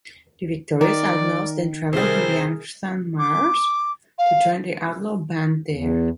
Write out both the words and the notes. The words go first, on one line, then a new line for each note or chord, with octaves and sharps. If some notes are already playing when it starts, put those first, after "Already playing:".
The victorious outlaws then travel to Liangshan Marsh to join the outlaw band there.
D#3 A#4 D5
C3 G3 G#4 A#4 C5
D6
F5
E2